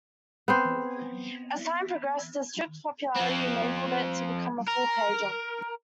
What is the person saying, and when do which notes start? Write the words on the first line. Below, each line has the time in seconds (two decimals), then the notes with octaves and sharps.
As time progressed, the strip's popularity enabled it to become a full pager.
0.48 B3 C4 C5
3.16 F3 C4
4.68 A#4